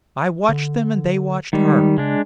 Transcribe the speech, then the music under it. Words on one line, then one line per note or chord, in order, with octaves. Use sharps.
I watched them and they watched her.
D3
D#3 G3 G#3
C#3 G#3 D4